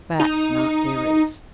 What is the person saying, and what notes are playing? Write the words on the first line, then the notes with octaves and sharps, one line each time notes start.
Facts, not theories.
D#4